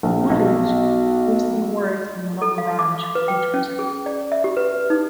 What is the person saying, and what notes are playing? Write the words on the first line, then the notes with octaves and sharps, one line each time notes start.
Woolwich lives and works in Long Branch, New Jersey.
A#1
B1
A4
F5
D6
B4
G5
C#4
G#4
D5
E5
G4
B4
D#4